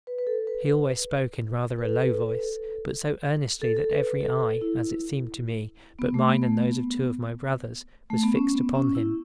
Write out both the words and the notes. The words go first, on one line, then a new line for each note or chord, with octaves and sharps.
He always spoke in rather a low voice, but so earnestly that every eye, as it seemed to me, but mine and those of two of my brothers, was fixed upon him.
B4
B4
A4
B4
B4
A4
B4
A4
B4
A4
A4
A4
B4
B4
A4
A4
E4
B3
A3
B3
A3
B3
A3
B3
C#4
B3
C#4
E4